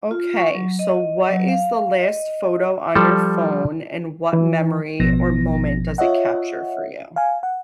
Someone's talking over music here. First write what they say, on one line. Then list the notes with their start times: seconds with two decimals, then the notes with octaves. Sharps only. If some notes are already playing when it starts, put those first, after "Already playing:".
Okay, so, what is the last photo on your phone, and what memory or moment does it capture for you?
0.11 F4
0.37 C#6
0.55 F#3
0.79 D#5
1.30 F#3
1.48 F5
2.00 D#5
2.95 F3 G3 A4
4.33 E3
5.00 A1 B2 F3 B3 A#6
5.98 F4 C#5 D#5 E5 F#5
7.16 F5 G#5
7.43 F#5